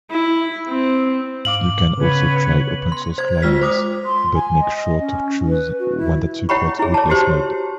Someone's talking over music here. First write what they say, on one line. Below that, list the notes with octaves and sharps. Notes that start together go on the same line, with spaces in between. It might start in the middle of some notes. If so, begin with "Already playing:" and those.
You can also try open source clients, but make sure to choose one that supports rootless mode.
E4
C4
G#2 F5 D6 F#7
C#3 B3 B4 C#5
C6
C5 G#6
G#3 F4 F6 B6
C5 D6 D#6
C6
G#5
D#5
C#4
B4
F#4
E4
E4 C#5 F#5 G5 B5 C#6
E4 G#4
C#5 A5
E4 F#4 G4 C5 C6